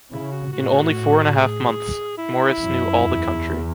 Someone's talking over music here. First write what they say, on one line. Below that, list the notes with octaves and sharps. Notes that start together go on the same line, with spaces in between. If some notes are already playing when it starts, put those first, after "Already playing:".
In only four and a half months, Morris knew all the country.
C#3 E4
F#4
A2 F#4
G#4
E4
F#2
E2